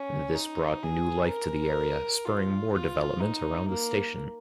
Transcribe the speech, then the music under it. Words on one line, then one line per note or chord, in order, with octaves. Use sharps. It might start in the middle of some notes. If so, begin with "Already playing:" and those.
This brought new life to the area, spurring more development around the station.
Already playing: C#4
D#4
G#4
A#4
F4
F4
D#4
A#3